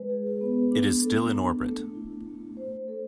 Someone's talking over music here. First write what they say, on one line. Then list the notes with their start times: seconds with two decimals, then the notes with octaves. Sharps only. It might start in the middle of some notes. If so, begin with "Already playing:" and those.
It is still in orbit.
Already playing: G#3 B4
0.10 G#4
0.41 B3
0.72 D4
1.02 A4
1.33 D4
1.64 A3
1.95 E4
2.26 A3
2.57 C5
2.88 A4